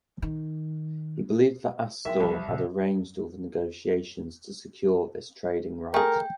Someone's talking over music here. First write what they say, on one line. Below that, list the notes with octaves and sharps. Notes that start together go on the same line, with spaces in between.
He believed that Astor had arranged all the negotiations to secure this trading right.
D#3
B1 A#4 E5 G5 C6
C2 F3 G3 A5 B5
A#2 C#3 E6
A3 G#4 A#4 G5